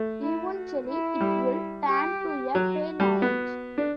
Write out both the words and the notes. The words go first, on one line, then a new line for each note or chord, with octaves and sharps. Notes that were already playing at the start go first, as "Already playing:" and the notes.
Eventually it will turn to a pale orange.
Already playing: A3
E4
F#4
E4
G3
G4
F#3 F#4
G3
B3
D4